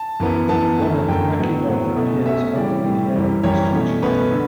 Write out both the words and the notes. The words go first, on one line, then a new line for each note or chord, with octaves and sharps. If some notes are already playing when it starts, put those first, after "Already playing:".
On it, Akimov appears, holding Lee-Ann hostage.
Already playing: A5
F#2 E3 B3
F#2 E3 B3 A5
F#2 D3 A3
F#2 D3 A3 G5
A2 F#3 B3
A2 F#3 B3
B2 A3 C#4
B2 A3 C#4 E5
E5
A2 E3 G3 D5
A2 E3 G3
F#2 E3 G3
F#2 E3 G3 C#5
B2 A3 C#4
B2 A3 C#4 B4
D3